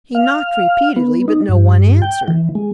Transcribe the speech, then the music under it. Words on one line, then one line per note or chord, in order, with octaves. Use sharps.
He knocked repeatedly but no one answered.
F5
B3
D#4
G2
G5
E3
G#3